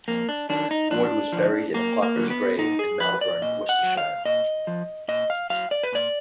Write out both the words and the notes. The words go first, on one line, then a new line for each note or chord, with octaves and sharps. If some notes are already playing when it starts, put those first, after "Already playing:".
Ward was buried in a pauper's grave in Malvern, Worcestershire.
F2 A#3
D4
D#3 F#3 D4
D#4
F2 D4
D3 F3
F#2 A#3
A#3
D3 F#3
B3
A#2 D#4
G#4
F3 B4
D5
A#2 D#5
F#5
F#3
F5
A#2 D#5
F3
A#2 D#5
F5
F#3 F5
D5
B4
A#2 D5